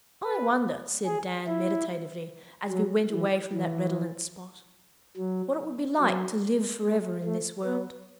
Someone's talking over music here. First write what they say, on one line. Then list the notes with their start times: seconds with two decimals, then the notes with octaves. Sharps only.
"I wonder," said Dan meditatively, as we went away from that redolent spot, "what it would be like to live for ever in this world."
0.23 B4
1.05 G#4
1.47 E4
2.70 F#3
3.11 E3
3.52 E3
5.17 F#3
6.00 F#3
6.82 G#3
7.24 A3
7.65 B3